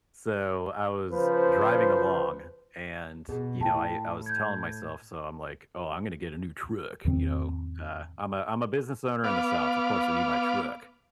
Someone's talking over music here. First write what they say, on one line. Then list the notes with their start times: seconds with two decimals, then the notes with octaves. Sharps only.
so, I was driving along, and, you know, I I was telling myself so I'm like, "Oh, I'm gonna get a new truck," you know, uh, I'm a I'm a business owner in the South, of course, I need my truck.
1.11 C#3 F3 B4 C5
3.29 B2 G#4
3.61 A2 E4 G5 A5
4.26 G6 G#6
7.05 E2 G#2 D#3 C4
9.24 B3 F5 D6